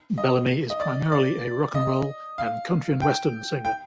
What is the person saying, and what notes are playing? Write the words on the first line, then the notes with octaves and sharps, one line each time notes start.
Bellamy is primarily a rock 'n' roll and country-and-western singer.
D#5
D#5
D5
D5
D#5
F5
G5
G5